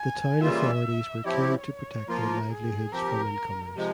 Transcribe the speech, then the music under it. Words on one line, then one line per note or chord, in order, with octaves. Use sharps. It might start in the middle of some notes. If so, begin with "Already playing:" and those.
The town authorities were keen to protect their livelihoods from incomers.
Already playing: G#5
C#3 E3 G3 A#3 F4 E5
F3 C4 E4 G4 C#5
F3 A#3 F4 A#4
G#4
F3 C4 G4 A#4
C3 F3 G#3